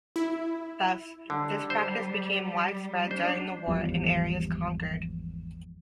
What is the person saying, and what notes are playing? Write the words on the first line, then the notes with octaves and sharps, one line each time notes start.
Thus, this practice became widespread during the war in areas conquered.
E4
D3 G3
C5
D4 C5
G#1 E2 F3 G3